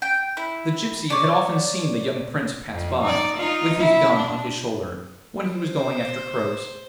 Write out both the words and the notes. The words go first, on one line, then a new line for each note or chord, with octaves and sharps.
The gypsy had often seen the young Prince pass by, with his gun on his shoulder, when he was going after crows.
G5
E4
C#5 D5
F2
D#4 D5
D#4 F4
E4
D4
C5